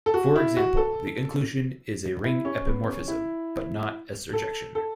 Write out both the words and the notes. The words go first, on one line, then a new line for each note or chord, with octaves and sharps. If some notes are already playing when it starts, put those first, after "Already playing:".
For example, the inclusion is a ring epimorphism, but not a surjection.
A4
F#4
E4
F#4
A4
E4
C#4
B3
C#4
E4
A4
A4